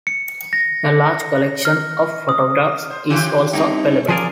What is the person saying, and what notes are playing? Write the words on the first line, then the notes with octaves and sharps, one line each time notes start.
A large collection of photographs is also available.
C#7
A#6
F6
D#6
C5
D#3 F4 G4
G3 C4 C#4 D#4 E4
F3 F4 G#4 A#4 D5